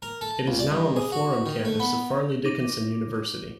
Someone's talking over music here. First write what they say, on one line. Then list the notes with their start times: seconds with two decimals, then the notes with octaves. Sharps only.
It is now on the Florham Campus of Fairleigh Dickinson University.
0.02 A#4
0.21 A4
0.47 C#2
0.59 D5
0.71 G2
0.96 G#4
1.12 F#4
1.46 D#3
1.65 A3
1.80 B3
2.45 D#4 D6